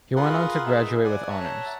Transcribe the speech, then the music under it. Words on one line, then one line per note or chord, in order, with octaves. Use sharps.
He went on to graduate with honours.
F4 G#4 A#4 B4 F#5 C6
D#4 G#4 E5
D5 F#5 G#5
C#5 E5 F#5 A5 A#5